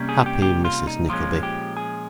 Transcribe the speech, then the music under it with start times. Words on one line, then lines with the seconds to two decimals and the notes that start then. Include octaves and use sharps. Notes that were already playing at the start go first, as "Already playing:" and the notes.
Happy Mrs Nickleby!
Already playing: C3 G3 A#3 C#4
0.09 G#4
0.26 G4
0.42 G4
0.65 F4
0.87 D#4
1.09 A#2 F3 G#3 C#4 F4
1.43 G4
1.77 G#4